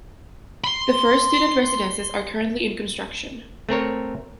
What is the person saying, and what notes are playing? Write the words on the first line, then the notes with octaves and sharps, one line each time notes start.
The first student residences are currently in construction.
B5 C6
A3 C4 A#4 C#5